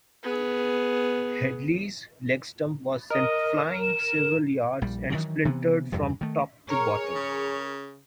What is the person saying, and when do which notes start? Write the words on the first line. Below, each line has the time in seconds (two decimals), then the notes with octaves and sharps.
Headley's leg stump was sent flying several yards and splintered from top to bottom.
0.23 B3 G#4
3.10 A#4 D#5
3.82 E7
4.82 A#1 G3
5.10 D#3 E3 F#3
5.45 C3 E3 B3
5.92 E2 G2 C3
6.21 D#3 A3
6.70 G#4 A#4 C#5
7.15 C#3